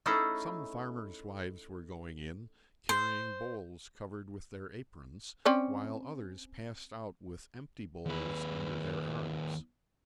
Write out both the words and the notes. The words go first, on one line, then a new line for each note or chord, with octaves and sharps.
Some farmers' wives were going in, carrying bowls covered with their aprons, while others passed out with empty bowls under their arms.
A3 C#4 D#4 E4 G#4 A4
C5
C4 C#4 D5
D#2 B4